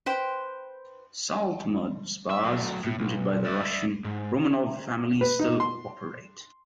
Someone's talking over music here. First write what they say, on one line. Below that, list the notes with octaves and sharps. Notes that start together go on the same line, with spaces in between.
Salt mud spas frequented by the Russian Romanov family still operate.
B4 C5 G5
E5
F#3 A3
A2
B1
D5 E5
G#2
B4
D#4
C6